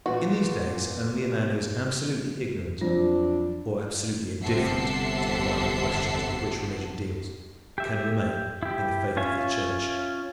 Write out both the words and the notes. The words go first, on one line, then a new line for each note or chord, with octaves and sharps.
In these days only a man who is absolutely ignorant or absolutely indifferent to the vital questions with which religion deals, can remain in the faith of the Church.
A#2 E3 F#4
F2 F#3 C4 D4 F4
G1 C3 A4 E5 F#5 C7
G4 E5
E4 G4
C#4 F4 C#5 E5 G#5